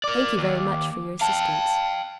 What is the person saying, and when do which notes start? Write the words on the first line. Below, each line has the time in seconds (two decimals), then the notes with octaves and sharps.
Thank you, very much, for your assistance.
0.04 A#4 D5 D6
0.38 D#2
1.21 F5 G5 A5